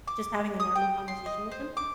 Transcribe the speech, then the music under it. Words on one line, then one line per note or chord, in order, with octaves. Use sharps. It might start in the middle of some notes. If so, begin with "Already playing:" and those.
Just having a normal conversation with them.
D6
D#6
G5
C6
D#5
C5
D6